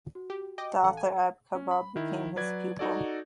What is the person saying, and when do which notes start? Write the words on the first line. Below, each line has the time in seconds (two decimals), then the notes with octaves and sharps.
The author Abe Kobo became his pupil.
0.15 F#4
0.30 G4
0.58 D#5 G5 D6
0.83 A1 A4 F5 F#5 A5
0.97 G#5
1.55 C#4
1.71 B5
1.96 D#3 E4
2.36 F#3 B4 D5 G#6
2.79 D#4 F#4 A4 D5